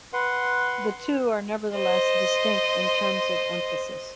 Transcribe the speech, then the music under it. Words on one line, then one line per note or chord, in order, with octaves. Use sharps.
The two are nevertheless distinct in terms of emphasis.
B4 F#5 C6
C5 D#5